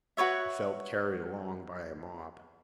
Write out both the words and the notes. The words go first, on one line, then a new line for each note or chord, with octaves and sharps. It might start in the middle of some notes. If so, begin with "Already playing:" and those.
He felt carried along by a mob.
F#4 B4 C#5 E5